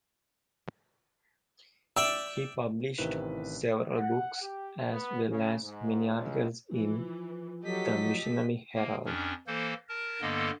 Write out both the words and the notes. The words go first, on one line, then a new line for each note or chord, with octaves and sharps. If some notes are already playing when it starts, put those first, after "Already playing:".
He published several books, as well as many articles in "The Missionary Herald".
D5 E5 G5 E6
A1 C3 D#3 C4 E4 B4
F#5
G4
B3
C#3
G#2
C#2
E3 F3
F#3 G4 A4 D#5 B6
A#3
F2 C#4 D4
E3 A#3 A4 C5
A#4 A5
G2 D3 A#3 B3 A4 D#5